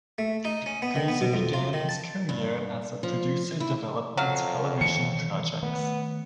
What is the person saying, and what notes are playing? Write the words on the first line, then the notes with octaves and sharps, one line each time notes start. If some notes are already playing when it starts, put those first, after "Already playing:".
Grazer began his career as a producer developing television projects.
A3
D#4
C#4
B3
D#3
B3
B2
F2
F4
D#3
A5
G2
F3
E4
F2 F#3 F5
B2 D#3 E3 C#7
D#3 A3 B3